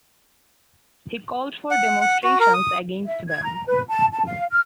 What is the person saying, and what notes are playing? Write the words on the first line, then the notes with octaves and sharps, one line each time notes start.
He called for demonstrations against them.
F#5
F#5
F#4
A#4
D#6
E5
G#6
A#5
B4
A5
A5
F5
F6